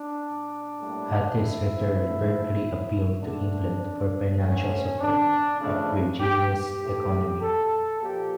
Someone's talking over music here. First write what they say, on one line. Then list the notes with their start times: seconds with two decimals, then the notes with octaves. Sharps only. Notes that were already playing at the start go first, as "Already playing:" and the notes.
At his return, Berkeley appealed to England for financial support of Virginia's economy.
Already playing: D4
0.78 A2 G3 A#3
1.39 E4
1.99 D3 F3 A3
3.19 D3 A3 D4
4.40 D3 A3 C#4
5.00 D4
5.60 C#3 F3 A3 D4
6.20 G4
6.51 G4
6.81 A2 E3 A3
7.41 A4
8.01 A#2 F3 A#3 G4